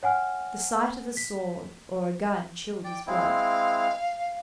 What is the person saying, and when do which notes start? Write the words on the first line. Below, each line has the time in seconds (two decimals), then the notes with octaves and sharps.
The sight of a sword or a gun chilled his blood.
0.03 C#5 F#5 G#5 F6
1.17 B6
2.84 D5 G5
3.07 G#3 C4 E4 F5